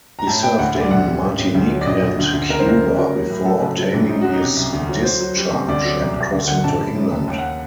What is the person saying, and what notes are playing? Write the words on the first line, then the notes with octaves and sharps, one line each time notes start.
He served in Martinique and Cuba, before obtaining his discharge and crossing to England.
A#5
A2 A5
A2 G5
D2 F#5
D2
D5
A#1 F#5
G3
A1
A1
D2
F#3
D5
A#1 D#5
A#1
D2
D2
F#1 A#4
C5
F#1 A#4
F#2
F#3
F#3
A2
F#3 A4
F#1
F#3
A#1
F#2 D#4
F#2 F#4
D#4
C3
C2
D2
F#3
F#3 C5
F#3
G3
C3
D2 D5
F#3
C2
C2
D2
D3 F#5
A#1 A5
A2
F#2
F#1
D#2
F#5